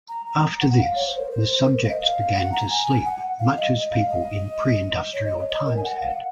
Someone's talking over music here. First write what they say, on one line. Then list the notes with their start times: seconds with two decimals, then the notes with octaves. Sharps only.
After this the subjects began to sleep much as people in pre-industrial times had.
0.09 A#5
0.26 A#5
0.61 F#5
0.79 F5
0.95 C#5
1.07 C5
1.19 A#4
1.31 C5
1.65 A#4
1.77 C5
1.84 F5
1.89 D#5
2.00 F5
2.34 F#5
2.52 A#5
2.70 G#5
3.05 F#5
3.39 F5
3.57 D#5
3.74 D#5
3.91 F5
4.09 D#5
5.14 C#5
5.25 D#5
5.37 C#5
5.49 D#5
5.66 A#4
5.77 G#5
5.83 F#5
6.00 F5
6.09 F#5